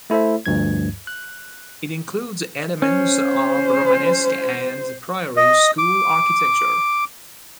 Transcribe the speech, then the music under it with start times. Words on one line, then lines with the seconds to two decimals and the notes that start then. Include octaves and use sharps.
It includes elements of Romanesque and Prairie School architecture.
0.10 A3 E4 A4 C5 E5
0.46 D2 G2 F3 G#6
1.07 F#6
2.82 C#4 C5
5.37 D#5
5.78 D6